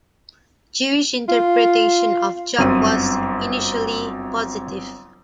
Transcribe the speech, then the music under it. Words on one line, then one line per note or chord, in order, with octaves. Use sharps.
Jewish interpretation of Job was initially positive.
F4
G1 F#2 C4 D#7